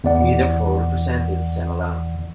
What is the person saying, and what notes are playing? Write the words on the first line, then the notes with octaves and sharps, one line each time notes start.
He therefore resented Sima Lun.
E2 E3 D5 F#5